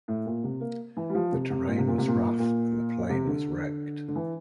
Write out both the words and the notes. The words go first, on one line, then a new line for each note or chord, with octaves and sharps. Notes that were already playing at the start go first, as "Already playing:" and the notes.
The terrain was rough and the plane was wrecked.
A2
A#2
C3
A#3
E3
G3
F3
C3
C3
A#2
C3
A#2
C3
A#2
A#2
C3
D3
D3
E3